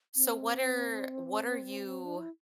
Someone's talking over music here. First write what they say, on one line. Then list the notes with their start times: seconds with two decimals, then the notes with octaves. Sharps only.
So, what are what are you
0.16 C4
2.05 D4
2.17 E4